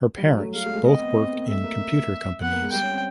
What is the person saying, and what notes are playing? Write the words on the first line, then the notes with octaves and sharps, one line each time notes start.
Her parents both work in computer companies.
G3
F#3
A3
A3 F5
A3
G#3
A3
C4 D#5
B3
C4
A#3
A3 E5
A#3
B3 F#5
A#3
G#3
G3 G5
C#4
C4